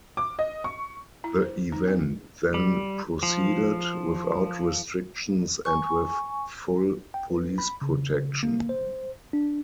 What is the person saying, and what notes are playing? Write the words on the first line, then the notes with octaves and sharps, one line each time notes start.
The event then proceeded, without restrictions and with full police protection.
D6
D#5
C#6
E4
C5
D#4
C4
G3
F3
G#5 C#6
G5
B4
B5
C#3
A#3
C5
D4